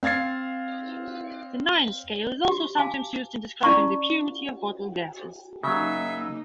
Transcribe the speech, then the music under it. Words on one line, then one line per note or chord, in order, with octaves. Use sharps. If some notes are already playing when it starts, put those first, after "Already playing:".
The nines scale is also sometimes used in describing the purity of bottled gases.
C4 F5 G#6 A6 C7
F#4 G4
F5 G#5 A5 D6
C#4 E4 D5 A5 A#5 C#6
C#3 F#3 A#3 D#4 E5